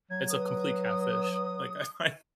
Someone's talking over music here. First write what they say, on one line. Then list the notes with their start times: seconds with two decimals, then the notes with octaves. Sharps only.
it's a complete catfish. Like, I I
0.11 F#3 G#6
0.30 B4 D#6